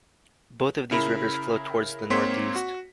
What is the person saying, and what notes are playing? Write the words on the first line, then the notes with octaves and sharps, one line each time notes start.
Both of these rivers flow towards the northeast.
C#3 E4 A#4 B5
G#2 A#3 C4 C#5 C6 B6
F#4